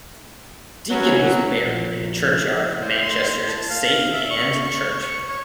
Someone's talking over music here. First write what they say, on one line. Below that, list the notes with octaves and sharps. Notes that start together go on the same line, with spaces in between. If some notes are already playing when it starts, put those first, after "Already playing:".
Deacon was buried in the churchyard of Manchester's Saint Ann's church.
B2 F#3 C#4
A#1 F3
C5
C6
A5
F5
E5
C#6
C#6
C#5